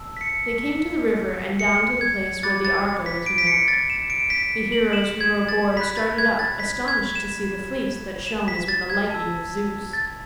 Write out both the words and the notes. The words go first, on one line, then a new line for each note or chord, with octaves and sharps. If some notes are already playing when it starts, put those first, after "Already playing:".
They came to the river and down to the place where the Argo was moored. The heroes who were aboard started up, astonished to see the Fleece that shone as with the lightning of Zeus.
Already playing: A5 E6
B6
C#7
C#7
G#6
B5 D6 F#6 A6
A6
A6
B6
D7
B6
C#7
A6
E7
D7
B6
F#7
E7
G#6
A6
B5 F#6 B6
A6
G#6
A6
B6
G#6
E7
E7
B6
A6
G#6
A5 E6
A6